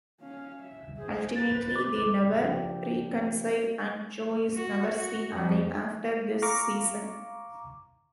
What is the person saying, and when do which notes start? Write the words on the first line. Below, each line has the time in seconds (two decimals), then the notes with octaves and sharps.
Ultimately, they never reconcile and Joe is never seen again after this season.
0.21 C#4 F5
0.63 E5
0.98 G#4 C5
1.36 B4 C5 A6
1.76 D6
2.40 C#3 F3 A#3 D4 G4
4.56 F#4
4.97 F#4
5.32 F2 F3
6.42 F5 A#5 C#6 D6